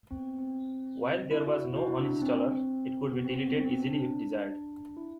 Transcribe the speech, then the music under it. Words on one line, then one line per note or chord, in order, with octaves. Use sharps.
While there was no uninstaller, it could be deleted easily if desired.
C4
B3
C4
E4
F#4
E4
F#4
E4
D4
D4
C4
B3
C4
C4
B3
C4
C4
D4
D4
E4